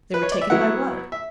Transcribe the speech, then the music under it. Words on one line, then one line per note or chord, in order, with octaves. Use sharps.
They were taken by water.
B4
C#5
D5
E5
F#3 B3 E4 F#5
E5